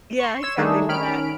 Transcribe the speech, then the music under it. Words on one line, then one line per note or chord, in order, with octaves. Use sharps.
Yeah, exactly for that.
C6 C#6
C#5 E6 E7
D#3 G3 A3 D4 D#4 G#4
D#3 C#4 B5 F6 D7